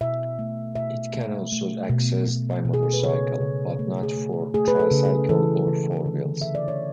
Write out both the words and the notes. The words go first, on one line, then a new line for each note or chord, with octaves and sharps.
It can also access by motorcycle, but not for Tricycle or Four Wheels.
B2 E5
A3
B2 E5
A3
A3
B2
B2
B2
G#4
A4
B4
C#3 C#5
C#3
A3
G#4
A3
A3 G#4
B4
A4
C#3
G#4
E3 A4
C#3
D3
D3 E5
D5
C#5